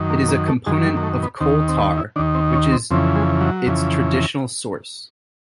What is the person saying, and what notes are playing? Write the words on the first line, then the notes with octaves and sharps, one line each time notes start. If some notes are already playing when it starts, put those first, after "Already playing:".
It is a component of coal tar, which is its traditional source.
Already playing: F#2 D#3
A#3
A#3
A3
F#2 D#3 G#3
G3
A#3
A3
B3
D#2 D#3 C4
C4
B3
E4
D#2 D#3 D4
C4
C#4
C4
F2 C#3 E3 C4
G#3
F#3
F2 C#3 E3